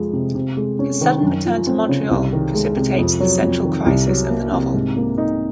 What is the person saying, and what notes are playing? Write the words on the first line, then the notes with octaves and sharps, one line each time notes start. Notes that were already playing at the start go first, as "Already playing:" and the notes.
His sudden return to Montreal precipitates the central crisis of the novel.
Already playing: F2 F3 G#3
C3
C3
G#3
C#4
D#3
F#2
F3
C4
C#3
C2
D#3
G#3
C3
F2
F#3
F2
D#3
C2
F#3
A#3
C3
G#2
A#3
D#4